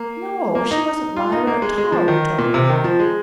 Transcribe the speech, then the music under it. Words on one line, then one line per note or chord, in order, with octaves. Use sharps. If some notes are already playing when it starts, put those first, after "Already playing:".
"No; she wasn't Lyra at all!" retorted Annie.
Already playing: A#3
A#3
D#4
F4
D#4
A#3
G#3
G#3
F3
D#3
A#2
C3
D#3
F3
G#3